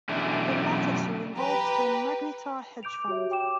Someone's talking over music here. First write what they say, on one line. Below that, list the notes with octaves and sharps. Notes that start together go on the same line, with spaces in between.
The latter two involved the Magnetar hedge fund.
F#2 B2 D3 E3 A3 D4
G4 B4 A#5
D6 G6 D7 F7
F#4 G4 C#5 E5
G5 D6 E7